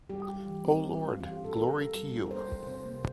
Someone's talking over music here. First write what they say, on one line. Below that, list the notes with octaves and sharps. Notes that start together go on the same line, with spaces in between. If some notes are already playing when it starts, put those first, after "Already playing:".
O Lord, glory to You.
G3 G4
F4
E3
C4
G3
F4
E3 F4
G4
D4
A4
A3 A#4
F4
G3
D4
A#4
A#3 C5
F4
C3 C5
A#3